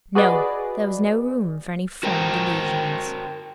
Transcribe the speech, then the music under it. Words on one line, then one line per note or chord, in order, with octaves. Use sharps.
No! there was no room for any fond delusions!
F#4 G#4 B4 D5 D#5
F#4 A#4 C5 G5